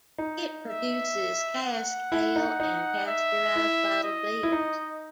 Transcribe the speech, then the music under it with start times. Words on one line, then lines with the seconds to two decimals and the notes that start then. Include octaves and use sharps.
It produces cask ale and pasteurised bottled beers.
0.18 D#4
0.67 E5
1.63 F#5
2.12 E4
2.36 D#4
2.60 D#4
3.07 E5
3.56 E4
4.04 D#5
4.43 E4
4.52 D#4